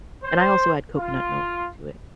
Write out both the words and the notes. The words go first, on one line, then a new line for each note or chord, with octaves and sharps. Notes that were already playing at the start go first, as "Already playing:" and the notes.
and I also add coconut milk to it.
C5
F4